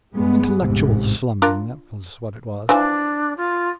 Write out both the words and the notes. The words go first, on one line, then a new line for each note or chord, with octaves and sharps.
Intellectual slumming, that was what it was.
G2 G#3 B3
A1 F2 G#2 C3
D4 F4 A#4
E3 F3 D4
F4